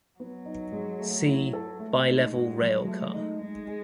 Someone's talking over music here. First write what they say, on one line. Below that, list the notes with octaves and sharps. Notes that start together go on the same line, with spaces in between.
See Bilevel rail car.
F#3 B3
D#4
G#3
A3
E4
A4
G#3 A3
D#4
F#4
F#3
A3
D#4
G#3 D#4
G#4